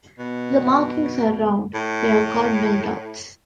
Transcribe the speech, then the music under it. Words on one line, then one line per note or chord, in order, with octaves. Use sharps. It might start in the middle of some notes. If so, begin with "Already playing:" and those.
If the markings are round they are called mil-dots.
B2
A2